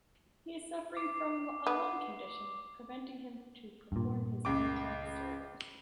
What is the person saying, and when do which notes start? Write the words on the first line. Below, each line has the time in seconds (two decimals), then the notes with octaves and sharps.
He is suffering from a lung condition preventing him to perform his military service.
0.97 D6 C7
1.67 B3
3.92 G2 A#2
4.45 C#2 D6